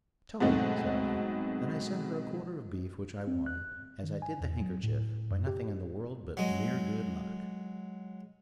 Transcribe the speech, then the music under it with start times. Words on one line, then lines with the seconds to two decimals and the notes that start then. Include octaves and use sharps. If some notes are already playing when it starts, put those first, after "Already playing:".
"Tell her," said I, "that I send her a quarter of beef which I won, as I did the handkerchief, by nothing in the world but mere good luck."
0.40 G#2 B2 F#3 A3 C4 D#4
3.27 C4
3.46 F#6
4.04 D#3
4.22 G#5
4.41 E2
4.61 F#3
4.84 A2
5.31 F#2
5.47 G4
6.37 F#3 G#3